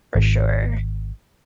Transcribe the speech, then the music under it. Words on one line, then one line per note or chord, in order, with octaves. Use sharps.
for sure.
G#1